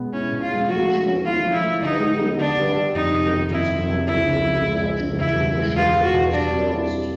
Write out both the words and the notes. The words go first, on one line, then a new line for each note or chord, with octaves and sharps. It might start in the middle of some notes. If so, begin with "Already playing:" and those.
Eventually Victoria Dock became too small to handle large container ships and was closed.
Already playing: B2 G#3 B3
C#4 E4
B2
F4
G#3
F3 F#4
A3
C#4
E4 F4
F3
E4
A3
D3 D#4
G3
B3
D3 D4
D3
G3
F2 D#4
C3
D#3
F2 E4
F2
C3
C#2 E4
C#3
F3
G#3
C#2
C#3
E2 E4
B2
G#3
E2 F4
E2
F#4
B2
G3 D4
C4
E4
G3